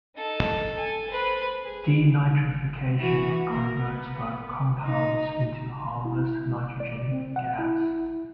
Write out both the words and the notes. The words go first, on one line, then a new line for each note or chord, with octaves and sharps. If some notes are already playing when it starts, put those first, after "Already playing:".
Denitrification converts both compounds into harmless nitrogen gas.
D#4 A4
A4 G#5
B4 C5
G#4
E3 F#4
A#3 A#4
B3
D#4
E4
D5
C4
F#5
E4